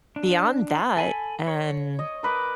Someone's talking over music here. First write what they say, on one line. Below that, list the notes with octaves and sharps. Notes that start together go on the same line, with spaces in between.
beyond that, um,
D4
A4 G#5 B5
C#5
D#5
A#4 B4 D6